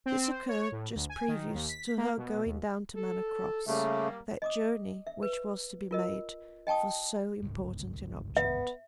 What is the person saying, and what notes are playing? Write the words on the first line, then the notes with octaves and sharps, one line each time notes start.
This occurred just previous to her going down to Manor Cross,--that journey which was to be made for so important an object.
C4
C5
C#5
A2
D2
G#5
D#3
D#2
B6
A#3
B2
D#2
A4
C#3 G3 A3 A#3
D#5 D6 D#6
E5
B4
F4 A#4 D#5
D#5 G5 A5 C#6 D#6
G1 C#2 G#2
B3 E5